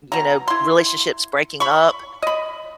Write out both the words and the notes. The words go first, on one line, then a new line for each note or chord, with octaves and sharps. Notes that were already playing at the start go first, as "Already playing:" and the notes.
you know, relationships breaking up
B2 A#5
E4 C6
B5 C#6
D#5 B5